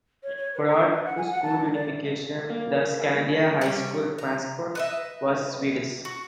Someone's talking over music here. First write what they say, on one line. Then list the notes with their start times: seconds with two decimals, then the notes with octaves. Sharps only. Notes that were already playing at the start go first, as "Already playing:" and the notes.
Prior to school unification, the Scandia High School mascot was Swedes.
0.23 C#5
0.37 C#5
0.55 B4
0.67 A#5
0.80 D4
0.92 B4
1.05 F#5
1.16 G#5
1.30 F#5
1.43 A5
1.58 D4
1.73 D5
2.50 A#3
3.61 G3 C#4 G5
4.18 A#5
4.75 B4 D#5 E5
6.05 F#4